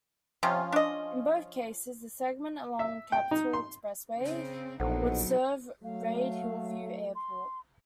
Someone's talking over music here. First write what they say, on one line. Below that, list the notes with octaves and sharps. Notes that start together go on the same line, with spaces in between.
In both cases, the segment along Capitol Expressway would serve Reid-Hillview Airport.
C3 F3 C#4 F4
D4 D#5
E5
G5
D#4
C6
C#3 C4
A#1 B2 F#3 D#4 A4 C5 F#5
F#3 A3 F5
C6